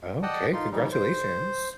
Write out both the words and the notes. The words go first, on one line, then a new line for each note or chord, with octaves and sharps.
Okay, congratulations.
D5 D#5 F#5 G5 A5 D#6
D#4 F4 C6
E3 G3 D#4
C5